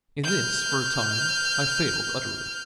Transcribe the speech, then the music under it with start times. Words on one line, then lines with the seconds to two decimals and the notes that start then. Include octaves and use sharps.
In this, for a time, I failed utterly.
0.24 F6 G6